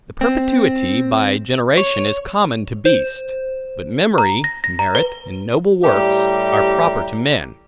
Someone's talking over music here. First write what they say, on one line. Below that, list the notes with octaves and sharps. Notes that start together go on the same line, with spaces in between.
The perpetuity by generation is common to beasts; but memory, merit, and noble works, are proper to men.
C4
C#5
C5
A#5
A#6
A#6
A#5
B4
A2 G3 G4 E5 A#5